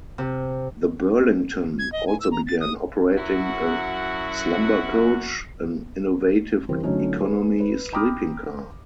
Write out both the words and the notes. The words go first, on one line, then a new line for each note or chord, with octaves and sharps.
The Burlington also began operating a slumbercoach, an innovative economy sleeping car.
C3
G#6
D#5
G#5
E6
A#5
A6
D#6
F#2 F#3 E4 F#4
E3 G3 C4 A#4 C5
D3 F#3 A3 C#4 D#4
G#4 B4
B4
G5 A#5 B5 D6 D#6 F6